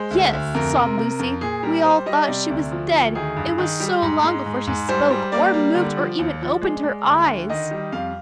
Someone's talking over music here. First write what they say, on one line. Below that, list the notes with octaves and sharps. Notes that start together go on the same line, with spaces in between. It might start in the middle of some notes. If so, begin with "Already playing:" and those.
"Yes," sobbed Lucy, "we all thought she was dead, it was so long before she spoke, or moved, or even opened her eyes."
Already playing: G#3 C5
D2
D2
F2 A#4
C3
C3
F2
A#2 G#4
G3 A#4
G3 C5
G3 D#5
C3 D5
D2
F3
D2
D#3 G#4
G2
D#3
G3
G#2
G#3
G#2
G#2
G3 C5
G3
A#3 D5
G3
D3
F3
D#2
F3
G#3
G#3
D2
D3
D#3 D#5
G3
F2 F5